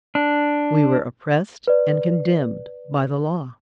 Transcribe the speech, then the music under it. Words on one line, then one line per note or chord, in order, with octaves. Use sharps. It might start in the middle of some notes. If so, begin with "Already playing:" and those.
We were oppressed and condemned by the Law.
D4
B4 D5